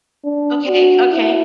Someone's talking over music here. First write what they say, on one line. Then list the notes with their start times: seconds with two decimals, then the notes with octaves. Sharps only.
Okay, okay.
0.25 D4
0.69 F#4
1.12 E4